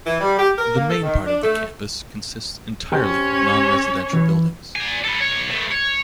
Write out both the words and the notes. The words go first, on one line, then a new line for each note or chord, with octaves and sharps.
The main part of the campus consists entirely of non-residential buildings.
E3
G3
G4
A#4
A#3
A4
D#3
D4
A3
C#4 G4 C5 C#5 G5
E3
D5 G#5
A4 B4
B1 C#5
A3 B3
C#5